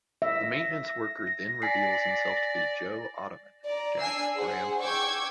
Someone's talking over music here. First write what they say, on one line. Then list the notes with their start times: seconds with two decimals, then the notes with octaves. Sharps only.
The maintenance worker then reveals himself to be Joe Ottoman, Jack's grandfather.
0.22 E5 A#6
1.62 D5 G#5 B6 C7
3.65 D5 A#5
3.99 D4 G#5 E6 C7
4.33 G#4 C5 F#5
4.80 G5 C#6 D6 E6 G6 G#6